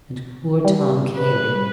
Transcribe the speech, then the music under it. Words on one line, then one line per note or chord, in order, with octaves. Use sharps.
And poor Tom Cayley!
G3
B4